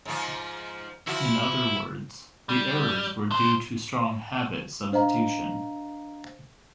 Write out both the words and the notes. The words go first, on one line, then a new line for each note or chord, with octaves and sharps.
In other words, the errors were due to strong habit substitution.
G#2 F3
F3 E4 F#4
G3
D4 C5
D4 C5 D#5 F5 A#5